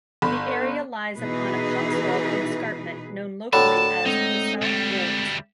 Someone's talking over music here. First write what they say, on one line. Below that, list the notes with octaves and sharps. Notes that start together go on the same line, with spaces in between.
The area lies upon a Cotswold escarpment known locally as the 'South Wolds'.
G1 B5
B2 E3 D#4 G#4 B4
A2 D3 F#4 A#4 A5 B5
G#3 A3 C4 D#4
D2 G3